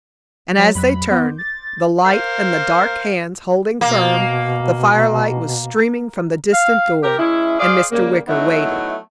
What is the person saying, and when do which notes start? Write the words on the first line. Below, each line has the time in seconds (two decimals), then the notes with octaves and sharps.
And as they turned, the light and the dark hands holding firm, the firelight was streaming from the distant door and Mr. Wicker waited.
0.58 F#3
0.75 F2 F#3 B5 F#6
1.11 B3 C6 D6 G6
1.38 A6
2.05 A#4 C5 F5
3.81 B2 A#3
6.52 F5
7.03 G4 A#4
7.19 G#3 C#4 E4
7.59 G#4 C5 D5 F5
7.91 C#3 G3 A#3
8.27 F#3 A3 B3 D#4 E4